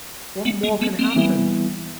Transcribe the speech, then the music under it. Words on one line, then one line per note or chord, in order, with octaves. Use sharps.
What more can happen?
A3 B3
G#3 A#3
A3 B3
A#3 C4
E3 G3 B3 E4